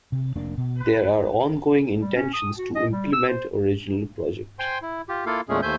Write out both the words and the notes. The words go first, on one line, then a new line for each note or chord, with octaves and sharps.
There are ongoing intentions to implement original project.
C3
F1 A#3 D4
B2
G3
C#4
D#6
F#4
D#5
G3
E6
C5
C5 G5 G#5 C6
E4
F4 G4
A#3 E4 F4 A4 F5
E2 A#2 G#3 A3 C#4 G#4
D#2 A3 C5 E5 G#5 G6